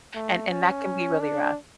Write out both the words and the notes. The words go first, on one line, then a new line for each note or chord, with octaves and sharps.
and and that can be really rough.
A3
C#4
D4